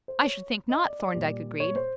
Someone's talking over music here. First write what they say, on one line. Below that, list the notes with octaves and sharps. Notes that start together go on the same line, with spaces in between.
"I should think not," Thorndyke agreed.
C5
C#5
D#5
D5
D5
A#2 G3
C#5
C5